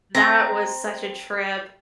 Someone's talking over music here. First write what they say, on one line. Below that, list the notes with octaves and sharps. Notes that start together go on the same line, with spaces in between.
That was such a trip.
C4 A#5